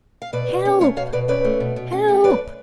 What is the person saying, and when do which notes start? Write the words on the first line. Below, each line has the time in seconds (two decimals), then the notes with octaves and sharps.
"Help, help!"
0.22 F5
0.33 B2 B4 D5
0.49 B2
0.65 C#4
0.81 A3 C#5 F5
0.96 B2 C#5 F5
1.12 B2 B4 D5
1.28 C#4 B4 D5
1.44 A3
1.60 B2
1.76 B2
1.92 C#4
2.08 A3
2.24 F#2 B4 D5